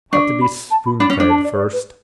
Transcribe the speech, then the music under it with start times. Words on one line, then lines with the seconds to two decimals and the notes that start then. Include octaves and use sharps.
Have to be spoonfed first.
0.12 D4 C#6
0.41 B5
0.71 A5
0.86 B5
1.00 D4 B5
1.10 C#4
1.20 D4
1.30 A5
1.44 D5
1.54 C#5
1.58 D5
1.73 B4